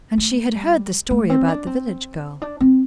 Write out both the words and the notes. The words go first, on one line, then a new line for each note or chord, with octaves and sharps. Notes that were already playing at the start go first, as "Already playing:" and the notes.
And she had heard the story about the village girl.
A3
G3
A3
C4
D4
C4
D4
C4